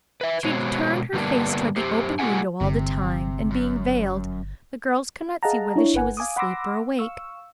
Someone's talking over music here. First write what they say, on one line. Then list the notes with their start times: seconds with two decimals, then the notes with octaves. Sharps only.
She had turned her face toward the open window all the time, and being veiled, the girls could not see whether she was asleep, or awake.
0.21 B4 E5
0.44 B2 G#3 B3 F#4 C5 C#5
1.13 G2 D3 G3 A#3 B3 D4
1.76 F#2 G4 C5
2.19 A3 F4 G4 G#4 F#5 G#5
2.61 G1 C3
3.51 F#2
5.43 G#4 D#5 F5 F#5 A5 A#5
5.76 D4 E4 C#5
5.94 G1 B4 F#5 G#5
6.17 F5 G#5 D6 D#6
6.36 F#5 B5 C6 D6 E6 A#6
6.99 F5 C#6 E6